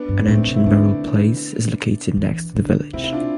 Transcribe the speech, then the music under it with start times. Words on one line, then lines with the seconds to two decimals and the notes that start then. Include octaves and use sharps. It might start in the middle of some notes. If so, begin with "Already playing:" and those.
An ancient burial place is located next to the village.
Already playing: B3 D4
0.09 G2
0.28 A2 A3 C4
0.46 C3
0.56 E4
0.66 D3 B3 D4
2.17 E3
2.55 D3
2.93 C3 C4 E4
3.04 E4
3.12 D4 F4